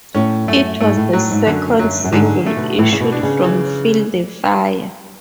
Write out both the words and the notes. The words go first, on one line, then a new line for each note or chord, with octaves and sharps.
It was the second single issued from "Feel the Fire".
A2 C#4
F#2 A3
G#2 A3
A2
A2 F#3
G#2
F#2 D3
F#2 F#3
F#2
G#2 D3
A3
B2
A2 E3
C#3
B2
D4
C#3
E3